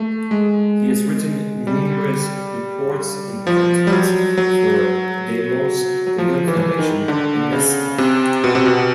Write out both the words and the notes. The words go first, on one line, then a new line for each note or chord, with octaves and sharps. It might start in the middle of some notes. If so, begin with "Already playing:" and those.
He has written numerous reports and pamphlets for Demos, the Young Foundation and Nesta.
Already playing: A3
G#3
G3
F3
G3
F#3
F#3
F#3
F3
E3
D#3
D3
C#3
C3
B2
C3
B2